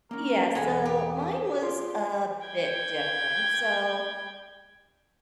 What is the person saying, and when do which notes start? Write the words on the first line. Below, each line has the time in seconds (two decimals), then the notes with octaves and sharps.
Yeah, so mine was a bit different. So,
0.11 A#3 C#4 A#4
0.55 E2 B2 G#3 B3 A4 F#5 G#5
0.85 G4 G#4
1.62 F4 G#4 C5 D5 C6
2.47 G5 G#6